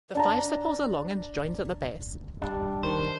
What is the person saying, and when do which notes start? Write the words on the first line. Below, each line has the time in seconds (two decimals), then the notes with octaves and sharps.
The five sepals are long and joined at the base.
0.15 D4 A5 A#5
2.42 G3 D4
2.83 D#3 C5